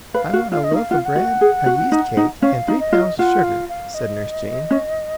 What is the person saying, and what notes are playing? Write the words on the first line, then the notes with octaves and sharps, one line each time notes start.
"I want a loaf of bread, a yeast cake and three pounds of sugar," said Nurse Jane.
B4 F5
F#4
F4 F5
D#5
D#4
F5
F4 F#5
F5
F#5
F#4
G#4
F#4
D#4
D#4
C#4 F5
D#4
D#5
F4
F4 F#5
F5
F5
D#5
C#4